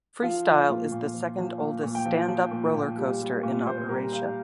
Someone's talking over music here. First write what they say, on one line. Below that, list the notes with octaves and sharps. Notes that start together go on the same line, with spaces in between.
Freestyle is the second oldest stand-up roller coaster in operation.
F3 F4
F3
A#2
A#2
F3
F3
A#2
A#2
G5
F3
F3
A#2
A#2
G3
G3
A#2
A#2 C5
C5
G3 A#4
G3 F5